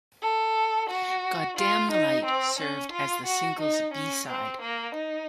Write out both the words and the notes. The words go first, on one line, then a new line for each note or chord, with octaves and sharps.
"Goddamn the Light" served as the single's b-side.
A4
F#4
F4
D#4
C4
C#4
F4
F#4
D#4
C#4
C4
A#3
D#4